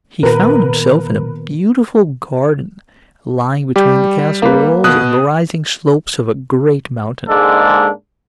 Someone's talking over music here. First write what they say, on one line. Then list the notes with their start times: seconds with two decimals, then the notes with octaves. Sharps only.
He found himself in a beautiful garden, lying between the castle walls and the rising slopes of a great mountain.
0.23 A#2 D#3 B3 A#4 B4
3.76 G3 G4
4.42 A#3 B4
4.84 B2 D#6 F#6
7.28 G#2 G#3 A#3 D4 A4